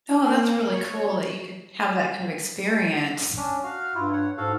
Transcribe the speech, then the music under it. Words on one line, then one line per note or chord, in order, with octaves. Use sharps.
Oh, that's really cool that you could have that kind of experience.
A#3
C#5
C#4 D4
F#4 F5 F6
G2 E4 F4
C#5 F#5
G#2 F#4 A4 F5